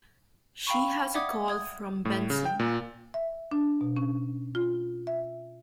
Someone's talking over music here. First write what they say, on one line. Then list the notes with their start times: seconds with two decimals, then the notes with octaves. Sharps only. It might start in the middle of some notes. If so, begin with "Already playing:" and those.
She has a call from Benson.
0.67 F5 G5 A#5 B5 C#6
1.14 D5 E5 F#5 D6 D#6 G#6
1.48 D#6 G#6
2.05 A2
2.30 C#3
2.45 G5
2.59 A#2
3.14 E5
3.51 D4
3.81 B2
3.96 C#4
4.55 F4
5.07 E5